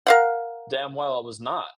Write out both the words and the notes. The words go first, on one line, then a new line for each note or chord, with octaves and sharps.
damn well I was not.
A#4 F5 F#5